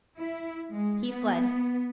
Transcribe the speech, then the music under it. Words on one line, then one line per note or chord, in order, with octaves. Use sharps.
He fled.
E4
G#3
B3